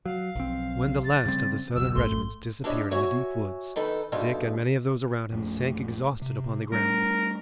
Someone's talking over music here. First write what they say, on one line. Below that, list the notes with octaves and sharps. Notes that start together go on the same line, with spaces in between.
When the last of the Southern regiments disappeared in the deep woods, Dick and many of those around him sank exhausted upon the ground.
F#3 F5
B1 F3 C4
A6
C#3 G3 C4
F#1 C#2 F#3 E6
A1 G#2 A3 C6
D4 E4 G4 C#5 D#5
F#4 C#5 E5 G#5
D#3 D#4 A4 B4
G2 B2 G#3 D#4 A4 E5
A#1 F#2 A3
C3
G3 A3 D4 A#4